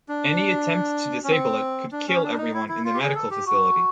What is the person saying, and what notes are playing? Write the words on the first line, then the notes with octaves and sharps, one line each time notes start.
Any attempt to disable it could kill everyone in the medical facility.
D4
C#4
C4
D4
C#4
D4
D#4
E4
E4
F4
G4
G#4
A4
G4
F#4